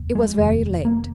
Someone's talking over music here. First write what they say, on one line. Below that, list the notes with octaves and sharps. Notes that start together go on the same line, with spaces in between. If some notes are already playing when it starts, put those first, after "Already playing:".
It was very late.
Already playing: F1 D#2
G#3
F1 D#2
A#3